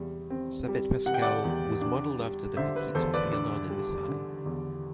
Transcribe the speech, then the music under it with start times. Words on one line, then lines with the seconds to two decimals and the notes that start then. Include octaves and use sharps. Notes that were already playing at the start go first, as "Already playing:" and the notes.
Sabet Pascal was modeled after the Petit Trianon in Versailles.
Already playing: E2 C3 G3
0.30 C4
0.68 G3
1.06 C3 F#5
1.14 G5
1.22 D5 F#5
1.44 E2
1.81 D4
2.19 G3
2.57 D3 C5 E5
2.76 B4
2.95 E2 A4 C5
3.14 B4 D5
3.33 D4
3.70 G3
4.08 D3
4.46 E2